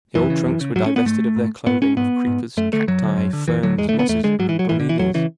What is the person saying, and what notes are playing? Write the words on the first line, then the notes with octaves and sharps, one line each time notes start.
The old trunks were divested of their clothing of creepers, cacti, ferns, mosses, and bromelias.
F#2 E3
C#3
F#2
C#3
G#2 F#3
C#4
B3
G#2 A3
G#2
G#2 B3
C#4
G#2 B3
G#2
F#2 A3
D3 A3
F#2 F#3
D3
F#2
D3
F#2 E3
D3 F#3
E2 G#3
A3
D3
B3
E2 A3
D3 G#3
G#2 F#3
E3
F#3
G#2 E3
D3
E3
E2 F#3
C#3 E3